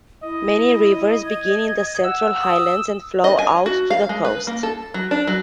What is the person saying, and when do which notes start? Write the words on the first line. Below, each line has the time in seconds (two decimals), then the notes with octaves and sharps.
Many rivers begin in the Central Highlands and flow out to the coast.
0.23 E4 D#5
1.25 G#6
2.03 F#5 E6
2.41 D#6
3.24 D#5
3.39 G#5
3.66 F#4
3.90 F5
4.09 G#3
4.25 B4
4.47 A#3
4.63 A4
4.94 F#3
5.11 D4
5.27 F#3